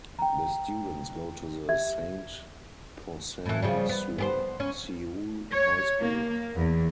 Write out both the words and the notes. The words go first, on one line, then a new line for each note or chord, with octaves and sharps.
The students go to the Saint-Pourçain-sur-Sioule high school.
G5 A#5
G4 E5 G#6
A2 E3
C#3 F3 G3
B3
B3 G4 C5
C#4
C#5
A#3
E2